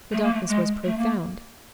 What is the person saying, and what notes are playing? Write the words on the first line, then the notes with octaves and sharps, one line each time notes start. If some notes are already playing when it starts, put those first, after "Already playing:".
The darkness was profound.
A3
A#3
A3
G#3
A3
A#3